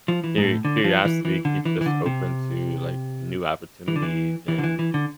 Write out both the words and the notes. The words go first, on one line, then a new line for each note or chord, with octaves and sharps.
Curi curiosity keeps us open to, like, new opportunities, and,
F3
E3
G#2
A2
D3
F3
E3
E3
D3
E3
E3
D3
C3
E3
D3
E3
E3
D3
E3
E3
D3